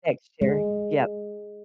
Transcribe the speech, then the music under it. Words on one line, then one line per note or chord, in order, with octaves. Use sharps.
Next year, yep.
G#3